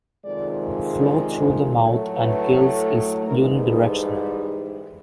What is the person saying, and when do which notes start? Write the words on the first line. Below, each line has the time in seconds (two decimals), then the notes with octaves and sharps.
Flow through the mouth and gills is unidirectional.
0.25 F2 C3 D#3 G#3 D5
1.00 D5
1.38 C5
1.76 A2 F#3 A3
2.13 B4
3.26 G#2 E3 G3 A#4
3.64 A4